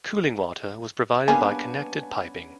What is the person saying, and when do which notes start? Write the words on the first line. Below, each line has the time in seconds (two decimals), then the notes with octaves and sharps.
Cooling water was provided by connected piping.
1.28 G3 A#3 B3 C#4 D4 G#4 G#5